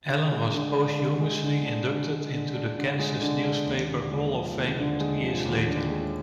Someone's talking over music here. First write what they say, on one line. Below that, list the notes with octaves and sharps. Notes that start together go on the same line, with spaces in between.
Allen was posthumously inducted into the Kansas Newspaper Hall of Fame two years later.
D3
G#3
D3
D4
D3
G#3
D3
D4
D3
G#3
D3
D4
D3
G#3
D3
D4
D#2
D3
G#3
F3
D#2
D3
G#3
F3
D#2
D3
G#3